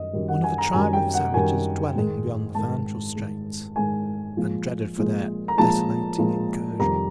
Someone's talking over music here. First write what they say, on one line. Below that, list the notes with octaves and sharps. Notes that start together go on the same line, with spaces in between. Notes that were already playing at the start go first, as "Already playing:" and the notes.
One of a tribe of savages dwelling beyond the Financial Straits and dreaded for their desolating incursions.
Already playing: F#2 D#3 G3 D#5
F#2 D#3 G3
F#5
G#5
A#5
F#2 D#3 G3 G#5
G5
F#5
F#2 D#3 G3 G#5
G#2 D#3 G#3
G#2 D#3 G#3 A5
G#2 D#3 G#3
G#2 D#3 G#3 G#5
A#2 F3 G#3
A#2 F3 G#3
A#5
A#2 F3 G#3 A5
A#2 F3 G#3
F2 C3 D#3 G3 A#5